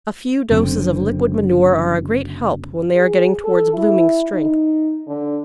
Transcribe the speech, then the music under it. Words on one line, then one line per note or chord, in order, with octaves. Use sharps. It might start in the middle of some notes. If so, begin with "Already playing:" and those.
A few doses of liquid manure are a great help when they are getting towards blooming strength.
F#1 F#2 D3 C4
G#4
A4
E4
D#4
D3